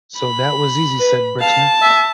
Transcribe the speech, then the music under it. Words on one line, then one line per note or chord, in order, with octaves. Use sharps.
So that was easy, said Brixner.
B5
B4
F5 A5
E5